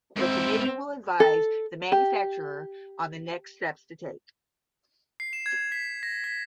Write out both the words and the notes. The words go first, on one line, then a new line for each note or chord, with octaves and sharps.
The committee will advise the manufacturer on the next steps to take.
G#2 C4 E4
A4
G4
C7
E7
G#6
B6
A#6
B6